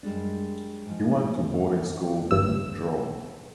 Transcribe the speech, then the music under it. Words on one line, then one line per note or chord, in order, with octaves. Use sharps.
He went to boarding school in Drôme.
F#2 G3 G#3 D4
G#2 F3
G1 G2 E6